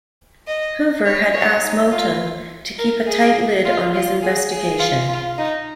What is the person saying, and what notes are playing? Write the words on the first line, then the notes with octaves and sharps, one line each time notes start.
Hoover had asked Moton to keep a tight lid on his investigation.
D#5
C#5
C#5
D#4
F4
A#4
G#4
F4
F4
G#4
G#4
F4
F4
D#4